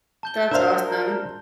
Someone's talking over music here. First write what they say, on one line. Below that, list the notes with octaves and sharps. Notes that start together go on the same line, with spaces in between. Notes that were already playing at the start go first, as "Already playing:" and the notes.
That's awesome.
A5 G6 G7
D4 A#4 C5 E5 F5